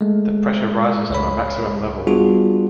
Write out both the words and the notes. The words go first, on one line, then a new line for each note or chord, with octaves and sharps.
The pressure rises to a maximum level.
G#3 A3
C#2 C#5 B5
G3 B3 D4 F4 F#4 G#4